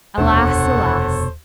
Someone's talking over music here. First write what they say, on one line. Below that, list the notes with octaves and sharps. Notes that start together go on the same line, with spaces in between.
Alas, alas!
F1 D#2 B2 D4 A4 C5 C#5 F#5